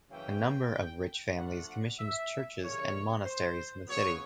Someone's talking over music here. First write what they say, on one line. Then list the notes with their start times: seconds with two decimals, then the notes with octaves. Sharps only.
A number of rich families commissioned churches and monasteries in the city.
0.10 F#2 C#3 E3 A3 C#4 G5
1.36 F3 A3 D4 F4 F#5
1.99 E5
2.61 C#3 E3 G3 A#3 C#5
3.24 C5
3.88 C#3 F#3 B3 C#5